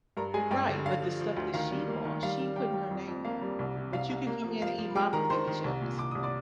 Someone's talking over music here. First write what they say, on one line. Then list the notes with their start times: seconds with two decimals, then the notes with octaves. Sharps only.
Right, but the stuff that she bought, she putting her name on it. But you could come in and eat my potato chips.
0.17 G2 A#4 A#5
0.34 G#3 G#4 G#5
0.51 G2 G4 G5
0.69 D3
0.86 D3 F5
1.02 F3
1.20 F3
1.36 D2
1.54 D#3 F5
1.71 G3
1.88 A#3
2.05 D#3
2.23 G3 F5
2.40 G3
2.56 G3 G4 G5
2.74 G3
2.91 F2
3.07 F2
3.25 A#3 F5
3.42 G3
3.59 C2
3.76 C3
3.93 C2 F5
4.10 C2
4.27 A#3
4.44 F3
4.62 F3 F5
4.78 F3
4.95 G#3 G4 G5
5.13 D#3 A#4 A#5
5.30 D#3 C5 C6
5.47 D#3
5.64 C2
5.81 A#2
5.98 C2 D6
6.11 C2 D#6
6.23 D5 D6